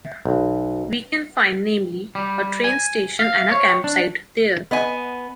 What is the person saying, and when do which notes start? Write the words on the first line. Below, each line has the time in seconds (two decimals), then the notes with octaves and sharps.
We can find namely, a train station and a campsite there.
0.25 B1
2.15 G3
2.64 G#5
3.19 F5
3.52 C#5
3.84 D4
4.71 B3 D#5 G#5